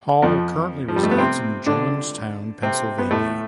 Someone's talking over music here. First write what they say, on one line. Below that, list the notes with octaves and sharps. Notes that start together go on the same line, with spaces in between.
Hall currently resides in Johnstown, Pennsylvania.
F2 F3
F3
G3
A3
B3
C3 C4
D3 D4
C3 C4
B3
A2 A3